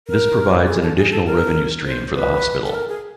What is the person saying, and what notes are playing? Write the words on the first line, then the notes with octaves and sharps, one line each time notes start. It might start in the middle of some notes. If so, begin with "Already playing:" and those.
This provides an additional revenue stream for the hospital.
A#4
G#4
A4
G#4
A4
A#4
C5
B4
A4
A#4
G#4